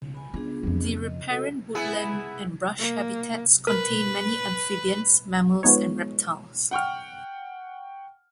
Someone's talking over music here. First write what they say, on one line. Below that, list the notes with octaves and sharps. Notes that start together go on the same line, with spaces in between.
The riparian woodland and brush habitats contain many amphibians, mammals and reptiles.
G#5 B5
B3 D4 F4 G#4
F2 F3
D#5
F#4 A4 D#5
B3 E4 G#4
A#3
A#4 B4
F3 G#3 B3 D#4 C#5
F#5 G5 C#6 F6